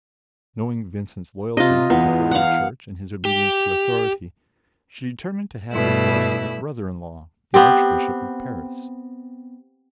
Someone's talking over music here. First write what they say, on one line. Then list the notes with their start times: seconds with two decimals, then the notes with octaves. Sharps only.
Knowing Vincent's loyalty to Holy Church and his obedience to authority, she determined to have recourse to her brother-in-law, the Archbishop of Paris.
1.57 C3 F4 D#5
1.90 E2 B3
2.31 F5 F#5
3.25 G4
5.71 G2 B2 G3 A3 E4 E6
7.54 B3 C4 G4